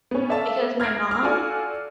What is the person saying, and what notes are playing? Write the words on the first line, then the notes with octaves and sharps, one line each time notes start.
because my mom
B3 C#4
A4 D5 E5 F5 A5
F6 G#6 A#6 C7 D7
D6 F6
F4 F#4 A4 D5 G#5